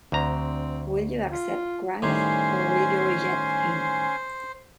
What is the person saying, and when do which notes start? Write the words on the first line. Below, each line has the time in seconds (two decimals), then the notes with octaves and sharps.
Will you accept Christ, or will you reject Him?
0.12 D2 C4 A#5
1.29 F4
2.02 A2 D#3 G3 C#4 C5 G#5 C6